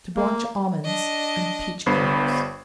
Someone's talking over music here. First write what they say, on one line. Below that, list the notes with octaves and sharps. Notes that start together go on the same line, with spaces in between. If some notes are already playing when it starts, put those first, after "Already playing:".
To Blanch Almonds and Peach Kernels.
A#3
D4 D#5
G1 G2 B3 C5 B5 C7